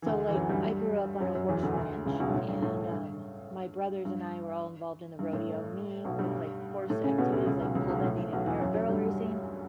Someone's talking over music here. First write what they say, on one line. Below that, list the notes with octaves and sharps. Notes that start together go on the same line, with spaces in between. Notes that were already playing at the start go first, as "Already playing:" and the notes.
so, like, I grew up on a horse ranch, and, um, my brothers and I were all involved in the rodeo, me with, like, horse activities, like, pole bending and pear barrel racing,
E3
D2 D3
E3
F#2 F#3
G2 G3
F#2 F#3
F#2 F#3
E2 E3
D2 D3
D2 D3
C#2 C#3
B1 B2
G2
A2
G2
A2
G2
G2
G2
A2
B1 B2
G2 G3
A2 A3
C#3 C#4
B2 B3
D2 D3
C#2 C#3
B1 B2
C#2 C#3
B1 B2
A2
A2
B1 B2
E2 E3
F#2 F#3
F#2 F#3
G2 G3